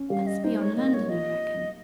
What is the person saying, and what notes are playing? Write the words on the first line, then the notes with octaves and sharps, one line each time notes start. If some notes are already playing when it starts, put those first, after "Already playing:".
'That's beyond London, I reckon?
Already playing: C#4
G3 F5
D#5
D#4 C5
C#5
A#3 D#5
C#5
F4 D#5